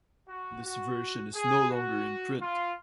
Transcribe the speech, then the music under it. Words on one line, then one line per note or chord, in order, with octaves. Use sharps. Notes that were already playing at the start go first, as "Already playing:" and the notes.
This version is no longer in print.
F#4
F#4
G#4
F#4
F4